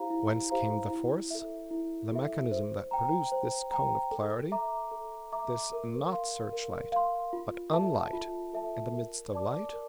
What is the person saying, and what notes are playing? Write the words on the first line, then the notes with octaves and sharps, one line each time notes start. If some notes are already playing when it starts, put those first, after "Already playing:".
Whence came the force, the mechanism that produced this cone of clarity, this NOT searchlight, but unlight in the midst of light?
Already playing: E4 G4 C5 F5 A#5
E4
G4 C5 F5 A#5
E4
A4 E5
E4
A4 E5
C5
G5 A#5
C5
G5 A#5
A4
E5 A#5 D6
A4
E5 A#5 D6
A#4
F5 C6
A#4
F5 C6
F4
A4 E5 A5
F4
A4 E5 A5
A#4
D5 A5 D6
A#4